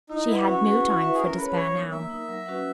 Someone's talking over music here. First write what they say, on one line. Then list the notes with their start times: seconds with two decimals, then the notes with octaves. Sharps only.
She had no time for despair now.
0.10 D#4 E4
0.28 E4 B4 F#5
0.38 E4
0.46 C#4 F#4
0.65 G#4 B4
0.83 E4
1.01 B4 E5
1.14 G#4
1.19 C#4 A#4
1.37 G#4 B4
1.41 C#5
1.47 B4
1.56 F#3 C#5
1.74 B3 D#4 A#4
1.91 A#3 E5
2.10 D#4 A#4
2.28 F#3
2.46 C#4 F#4 B4 F#5